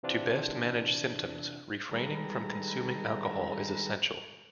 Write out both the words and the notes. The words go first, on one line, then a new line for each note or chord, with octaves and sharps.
To best manage symptoms, refraining from consuming alcohol is essential.
C3 E3 C4 D4 F4 G4
D#3 G3 G#3 A4 B4 A#5